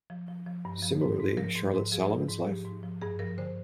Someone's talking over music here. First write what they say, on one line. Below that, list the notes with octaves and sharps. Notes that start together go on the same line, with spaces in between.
Similarly, Charlotte Salomon's Life?
F3
F3
F3
G2
F3
G#2
G#2
F3 A#4
G#2
G#2
F3 G#4
F3
G#2
F3 G4
G#2
F3
G2 G#4
F3 A#4
D3 C5